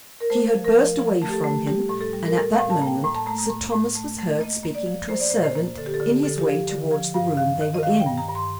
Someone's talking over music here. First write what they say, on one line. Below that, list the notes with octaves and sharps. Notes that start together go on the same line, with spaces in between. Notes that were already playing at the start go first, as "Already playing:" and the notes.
She had burst away from him, and at that moment Sir Thomas was heard speaking to a servant in his way towards the room they were in.
A#4
A3 C5
F3
A#4
F3
F3
A3
G4
A4
A3
G3 G4
A2
A4
G3
A#4
A2 A4
F5
A2
A5
A#3 G5
A2 A#5
A5
A3 A#5
A#5
A2
A2
A3
A3
A#3 D#5
A#3
D5
F3
A#3 C5
D5
A#2 C5
C5
A#3
D3 A4
G4
A4
D3
G4
D3 A4
G4
F3
D3
F3
G2 F5
D#3 F5
D#3
D#5
D#3 F5
G5
G2
A#5
G2
C6